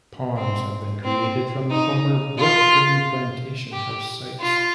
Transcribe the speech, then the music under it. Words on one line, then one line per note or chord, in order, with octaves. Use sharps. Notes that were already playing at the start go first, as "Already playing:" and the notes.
Ponds have been created from the former 'Brookgreen' plantation house sites.
C4
C4
D#4
F4
G4
F4